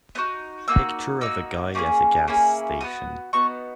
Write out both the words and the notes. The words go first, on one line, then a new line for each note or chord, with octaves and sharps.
Picture of a guy at a gas station.
B3 D#4 F#4 F#6
A#3 D#4 F#4 E6
A#3 D#4 F#4 E6
A#3 C#4 E4 G#4
A#3 C#4 E4 G#4
B3 D#4 F#4 D#6
B3 D#4 F#4 C#6